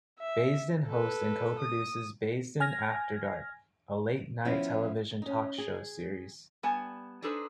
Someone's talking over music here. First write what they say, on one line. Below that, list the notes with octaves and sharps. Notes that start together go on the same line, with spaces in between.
Baisden hosts and co-produces "Baisden After Dark", a late-night television talk show series.
E5
A4 B4
D#6
G#5 F6 G#6 A#6
F3 B3 C#4 E4
C#4 D#4
G#4
G3 B3 G#5 A5
D4 D#4 G#4 A4 B4 C5